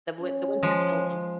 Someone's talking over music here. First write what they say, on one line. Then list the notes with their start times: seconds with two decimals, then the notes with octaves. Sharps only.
the win the winter killed them.
0.21 C#4
0.63 F3 G#3